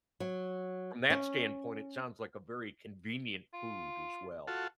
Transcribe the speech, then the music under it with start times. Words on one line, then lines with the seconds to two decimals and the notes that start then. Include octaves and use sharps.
from that standpoint, it sounds like a very convenient food, as well.
0.20 F#3
1.10 C#4
3.53 F4
4.47 F4 F#4 A4